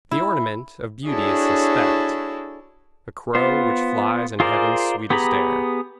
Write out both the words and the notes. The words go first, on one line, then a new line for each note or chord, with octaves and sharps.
The ornament of beauty is Suspect, A crow which flies in heaven's sweetest air.
E4
D4 E4 F#4 G#4 A4 C#5
B3 F4 C5
F4 G#4 A#4 C5 D5
B3 G4 G#4 A#5 B5